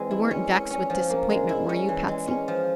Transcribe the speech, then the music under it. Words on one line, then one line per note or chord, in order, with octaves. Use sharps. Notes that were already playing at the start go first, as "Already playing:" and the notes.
"You weren't vexed with disappointment, were you, Patsy?"
Already playing: E3 G#3 C4
E4
C#4
C#4
C#4
F3
A#3
G#3
E4
C#4
E3
G#3
C#4
F3